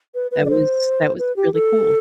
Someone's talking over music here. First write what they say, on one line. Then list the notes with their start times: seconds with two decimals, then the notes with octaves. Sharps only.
that was that was really cool.
0.15 B4
0.31 B4
0.45 D5
0.50 C5
1.19 B4
1.36 G4
1.54 A4